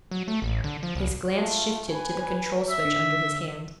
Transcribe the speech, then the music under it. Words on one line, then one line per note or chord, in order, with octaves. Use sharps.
His glance shifted to the control-switch under his hand.
F#3
A3
A1
D3
F3
C2
A3 F4
B4 G#5
E5
D3